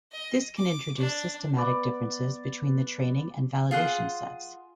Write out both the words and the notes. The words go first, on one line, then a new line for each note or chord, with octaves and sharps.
This can introduce systematic differences between the training and validation sets.
D#5
D6
D4
B3 D5
F4 G#4 F#5 C6